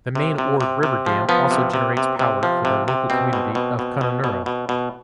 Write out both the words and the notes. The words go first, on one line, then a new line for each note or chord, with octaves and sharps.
The main Ord River dam also generates power for the local community of Kununurra.
C3
C3
C3
C3
F3
F3 B3
C3
C3
C3
C3
F3
C3
C3
B2 C4
B2
B2
B2
B2
B2
B2
B2